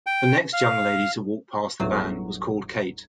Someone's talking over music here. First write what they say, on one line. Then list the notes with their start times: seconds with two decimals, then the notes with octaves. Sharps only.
The next young lady to walk past the van was called Kate.
0.07 G5
0.53 F5
1.80 G1 E2 A2 F#3